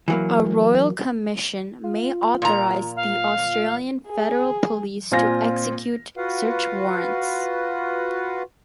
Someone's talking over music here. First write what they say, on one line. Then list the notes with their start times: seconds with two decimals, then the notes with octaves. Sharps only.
A Royal Commission may authorise the Australian Federal Police to execute search warrants.
0.08 E3 F#3 A#3
1.83 F4
2.42 A#2 A#5
2.96 F5
4.07 G#4
5.12 A#2 C4 F4 G#5 A#6
6.17 F4 F#4 B4 F5 F#5